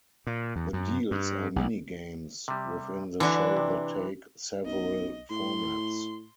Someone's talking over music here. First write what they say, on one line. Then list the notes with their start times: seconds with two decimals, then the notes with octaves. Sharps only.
The deals are mini-games within the show that take several formats.
0.27 A#2
0.56 E2
0.73 F#2
1.11 G2
1.56 B1
2.48 C3 G3
3.20 D3 E3 D4 F#4
3.57 C3
4.65 B1 D#5
5.30 A2 C6